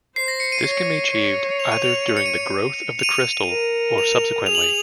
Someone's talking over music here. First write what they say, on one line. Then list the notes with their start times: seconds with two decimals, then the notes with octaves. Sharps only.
This can be achieved either during the growth of the crystal, or subsequently.
0.16 C5 C7
0.28 A#6
0.40 C#7
0.52 D#7
0.65 C#5
1.12 C#5
1.59 F7
1.72 D#7
1.84 F7
1.96 F7
2.08 D#7
2.17 C#7
2.26 D#7
2.99 F7
3.03 D#7
3.51 A#4
3.98 F7
4.46 G#4 F7
4.55 F#7
4.63 F7